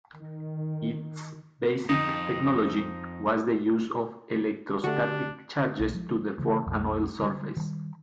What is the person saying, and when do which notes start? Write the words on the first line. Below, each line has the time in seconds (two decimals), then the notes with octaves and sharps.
Its basic technology was the use of electrostatic charges to deform an oil surface.
0.13 D#3
1.89 F2 D#4
4.84 D3 A3 D4 F#4 G4
5.79 B1
5.94 F3 G#3
6.38 C#3 E3 A3
6.66 B1 F2
7.22 D3 G3 G#3
7.57 D#3 G3